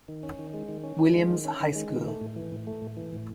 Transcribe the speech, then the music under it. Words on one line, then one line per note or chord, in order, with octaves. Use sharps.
Williams High School.
D#3
C#4
D#3
G#3
D#3
C#4
D#3
G#3
D#3
C#4
D#3
G#3
D#3
A3
A2
E3
A2
A3
A2
E3
A2